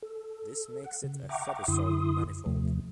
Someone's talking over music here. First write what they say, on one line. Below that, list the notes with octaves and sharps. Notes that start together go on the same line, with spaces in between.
This makes it a Fedosov manifold.
A4
F#5
C#3
E5 F#5 G5 A#5 C#6 D6
F#2 D3 E4 C6 D#6
D#2 C3 F3 A3